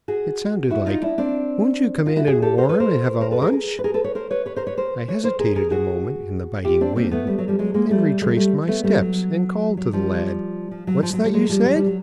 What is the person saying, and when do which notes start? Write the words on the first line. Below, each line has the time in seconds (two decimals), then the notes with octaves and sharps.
It sounded like, "Won't you come in and warm, and have lunch," I hesitated a moment in the biting wind, then retraced my steps and called to the lad: "What's that you said?"
0.08 F#4 G#4
0.70 E4 F#4
0.86 D#4 F4
1.02 D4 E4
1.18 C4 D4
2.06 D#4 F4
2.16 E4 F#4
2.27 F#4 G#4
2.42 G4 A4
2.58 A#4 C5
2.69 A4 B4
2.80 A#4 C5
3.21 A#4 C5
3.31 A4 B4
3.42 G#4 A#4
3.53 G#4 A#4
3.79 B4
3.84 G#4 A#4
3.94 A4 B4
4.04 B4 C#5
4.15 A#4 C5
4.31 B4 C#5
4.46 B4 C#5
4.56 A#4 C5
4.67 B4 C#5
4.78 A#4 C5
5.08 B4 C#5
5.24 A#4 C5
5.39 G#4 A#4
5.56 G#4 A#4
5.71 F#4 G#4
6.65 F4 G4
6.81 C4 D4
6.96 A#3 C4
7.11 A3 B3
7.27 G3 A3
7.38 F#3
7.48 F3 G3
7.59 F#3 G#3
7.74 G#3 A#3
7.91 G3 A3
8.22 F#3 G#3
8.37 G3 A3
8.68 A3 B3
8.83 G3 A3
9.00 F#3
9.77 F#3
9.93 F3 G3
10.71 F3
10.87 F#3
11.03 F3
11.13 F#3
11.24 F3 G3
11.33 F#3 G#3
11.49 F3 G3
11.65 F#3
11.75 F3 G3
11.86 F#3